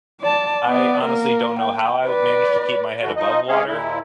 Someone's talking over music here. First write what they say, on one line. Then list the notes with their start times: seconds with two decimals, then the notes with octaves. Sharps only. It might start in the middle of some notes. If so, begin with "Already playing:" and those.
I honestly don't know how I managed to keep my head above water,
0.21 D5 A5
0.66 B3 D5
1.04 A#3 A#4
1.59 G5
2.06 B4 D5
3.03 D3 E3 A3 F#4
3.16 F3 D#4 D#5
3.48 G#3 C#4 G#4 C#5 F5
3.67 D#2 A#2 E4